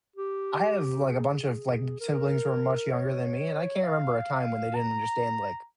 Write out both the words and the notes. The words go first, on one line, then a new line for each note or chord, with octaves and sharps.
I have, like, a bunch of, like, siblings who are much younger than me, and I can't remember a time when they didn't understand, like,
G4
G#4
A#4
C#5
F5
A#5